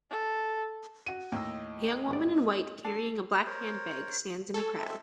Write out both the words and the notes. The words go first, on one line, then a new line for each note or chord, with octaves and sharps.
A young woman in white, carrying a black handbag stands in a crowd.
A4
F#4 D#7
D#2 A2 A#3 D#5 E6
G1 G#2 D5
D4 A4 C7
A#4 C5 C#5
A4 G#5 C#6
G#3 C4 E5